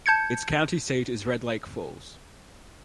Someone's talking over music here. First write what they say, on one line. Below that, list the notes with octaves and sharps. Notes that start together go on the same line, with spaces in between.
Its county seat is Red Lake Falls.
A5 G6 G#6 C#7